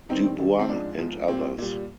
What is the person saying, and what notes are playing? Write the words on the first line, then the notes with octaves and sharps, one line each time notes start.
Du Bois and others.
G2 D#3 G3 C4 D#4
G2 D#3 G3
C4
G#2 F3 G#3 D4
G#2 F3 G#3
A#2 G3 C4
A#2 G3